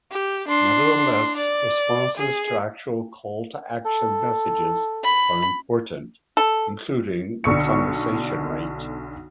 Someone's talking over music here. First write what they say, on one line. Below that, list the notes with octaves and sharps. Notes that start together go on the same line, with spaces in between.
Nevertheless, responses to actual call-to-action messages are important, including the conversion rate.
G4
D4 C6
D5
G#4
A4
B5
A4
B1 D3 C#6 C#7